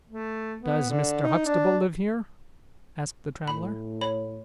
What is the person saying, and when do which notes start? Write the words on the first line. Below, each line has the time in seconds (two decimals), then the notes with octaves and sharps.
"Does Mr. Huxtable live here?" asked the traveler.
0.10 A3
0.63 B3
0.90 D3
1.23 D#4
1.46 D4
3.48 A2 B5
4.01 C#5 B5